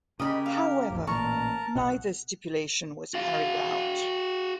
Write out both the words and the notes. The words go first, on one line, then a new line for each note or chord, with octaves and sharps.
However, neither stipulation was carried out.
C#3 G4 A#4 D#5 B5
F5
G1 D2 E3
A1 A#2 A#4 A5 A#5 C#6
B1 B2 F#5
F#4 F5